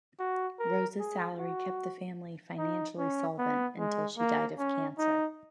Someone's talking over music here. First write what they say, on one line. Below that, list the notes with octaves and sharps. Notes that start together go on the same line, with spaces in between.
Rose's salary kept the family financially solvent until she died of cancer.
F#4
A#4
G#4
F#4
D#4
C#4
B3
G#3
A#3
C#4
D#4